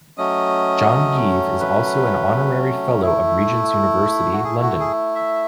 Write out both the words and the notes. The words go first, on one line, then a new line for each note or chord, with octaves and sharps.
John Gieve is also an Honorary Fellow of Regent's University London.
F#3 A3 C#4 D#5
B4
A3 E4
F#4
G#4
F#4
G#4
E5